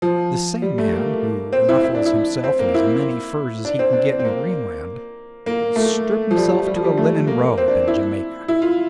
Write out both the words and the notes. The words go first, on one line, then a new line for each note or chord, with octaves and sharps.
The same man, who muffles himself in as many furs as he can get in Greenland, will strip himself to a linen robe in Jamaica.
F3
G3
A3
A#3
C4
E4
E4
D4
E4
C4
A#3
E4
D4
C4
D4
C4
A#3
A#3
A3
F3
G3
F3
G3
F3
G3
A3
A#3
C4
D4
E4
E4
F4